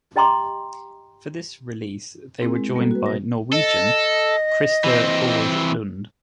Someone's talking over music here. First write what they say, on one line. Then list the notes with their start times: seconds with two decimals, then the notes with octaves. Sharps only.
For this release they were joined by Norwegian Christer Borge-Lunde.
0.16 G4 D#5 G5 A#5 C6 D6
2.42 C4 E4 G#4 A#4
2.56 G#3
2.75 G3 A#3 B3 F#4 A4
2.91 F#4 B4
3.06 B2 A#6
3.53 A4 D#5
4.84 E3 C4